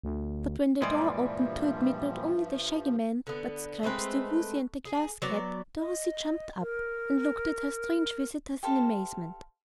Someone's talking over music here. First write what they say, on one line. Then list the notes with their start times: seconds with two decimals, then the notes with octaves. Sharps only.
But when the door opened to admit not only the Shaggy Man, but Scraps, the Woozy and the Glass Cat, Dorothy jumped up and looked at her strange visitors in amazement.
0.04 D2
0.82 G2 A#2 E3 F3 G3 G#3 D5 E5
3.27 D3 B3
3.83 G#3 A3 C4 B4
4.85 G#4
5.22 F#3 B3 D5
5.79 D#5
6.60 A#4
8.63 G4 A4 C5 F5